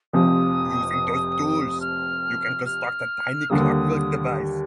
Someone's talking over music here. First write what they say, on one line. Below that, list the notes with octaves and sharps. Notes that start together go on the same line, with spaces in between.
Using those tools, you can construct a Tiny clockwork device.
F1 F2 C3 F3 D#6
F6
F6
D#2 D3 G3 A#3 D#6